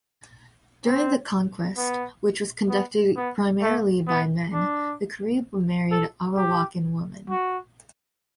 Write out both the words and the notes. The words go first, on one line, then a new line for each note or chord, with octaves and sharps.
During the conquest, which was conducted primarily by men, the Carib married Arawakan women.
C4
B3
B3
B3
A3
B3
D4
A4
G4
F#4